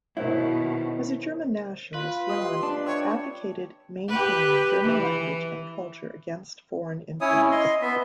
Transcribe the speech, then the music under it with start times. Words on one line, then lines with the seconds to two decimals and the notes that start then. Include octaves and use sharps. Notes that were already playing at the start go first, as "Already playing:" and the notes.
As a German nationalist, Jahn advocated maintaining German language and culture against foreign influence.
0.17 B2 D#3 E4 A#4 C5 C#5
1.94 F4 B4
2.29 G4 D#5 C6
2.63 D4
2.86 C#5 E5 G5
4.08 G4 B4
4.83 E3
7.21 C#4 E4 C#5 D#6
7.51 D#5 C6
7.82 B3 E5